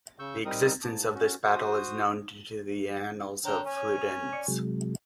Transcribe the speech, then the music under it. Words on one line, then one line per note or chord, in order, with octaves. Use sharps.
The existence of this battle is known due to the Annales Fuldenses.
C#3 C#6 E6 G6
G3 C4 D#4 A#4 D#6
G#2 A5
C#4 F#4
F#4 C5 D#6
D3 C#5 G5 A#5
C#4 G#5
D5 C#6
C3 F#3 G#3